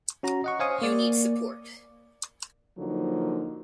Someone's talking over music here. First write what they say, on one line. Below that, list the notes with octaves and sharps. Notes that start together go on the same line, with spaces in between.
You need support.
C#4 F#4 A#5
D#5 F#5 C#6
C5 C#5 F5 G#5 C#6 D#6
A#3 D5
D3 F3 F#3 A#3 D#4